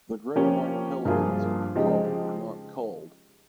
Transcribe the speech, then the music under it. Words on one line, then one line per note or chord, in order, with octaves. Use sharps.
The great white pelicans at the park were not culled.
F3 A#3 C#4 G4
G2 F3 A#3 F4 G#4
C#3 F3 G#3 D#4 G4